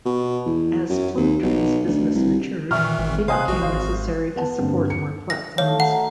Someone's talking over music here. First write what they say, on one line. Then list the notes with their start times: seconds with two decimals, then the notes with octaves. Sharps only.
As Plumtree's business matured, it became necessary to support more platforms.
0.05 B2
0.46 E2
0.89 F#2
1.17 D#2
1.42 B1
1.86 D2
2.15 C2
2.71 A#2 D#3 E3 E5 C#6 F6
2.99 G#1
3.28 C3 C5 D#5 F5 G#5 D#6 F#6
3.48 A#1 F#4
3.62 G#1 C5 F5
4.36 B3 F#5 A5
4.59 G2 D3 A#3 C4
4.90 C#7
5.30 A#6
5.58 D#3 A3 F#4 C#5 F5
5.80 D#4 F#5